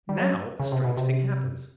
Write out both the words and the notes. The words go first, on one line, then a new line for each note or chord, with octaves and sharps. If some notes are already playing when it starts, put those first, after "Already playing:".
Now a strange thing happens.
G3
F#3
C#3
C3
B2
C3